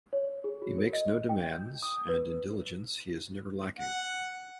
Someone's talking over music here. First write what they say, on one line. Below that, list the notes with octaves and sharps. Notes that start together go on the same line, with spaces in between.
He makes no demands, and in diligence he is never lacking.
C#5
G#4
F#4
A#4
D#5
G5
G6
D#6
B4
F#5